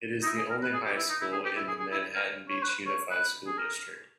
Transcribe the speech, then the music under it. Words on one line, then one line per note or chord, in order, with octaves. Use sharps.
It is the only high school in the Manhattan Beach Unified School District.
D#4
E4
G#4
A#4
B4
G#4
G4
E4
D#4
E4
G#4
G4
E4
G#4
G#4
E4
A#4
C#5
B4
C#5
B4
G#4
A#4